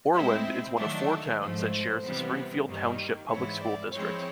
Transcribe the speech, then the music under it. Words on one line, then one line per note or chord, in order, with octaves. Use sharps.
Oreland is one of four towns that shares the Springfield Township Public School District.
G#3 C4 E4 E5
D#3 F#3 A3 D4 E5
G#2 F3 A3 C5
C3 E3 G3 B3
G2 D#3 G3 A#3
G#2 E3 G#3 C4 E4 C#5
D5
F3 G#3 C4 E4 C#5